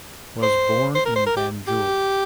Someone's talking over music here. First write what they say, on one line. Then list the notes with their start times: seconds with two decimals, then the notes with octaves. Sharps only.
Was born in Banjul.
0.43 C5
0.95 C5
1.05 A#4
1.16 C5
1.26 A#4
1.37 G4
1.68 G4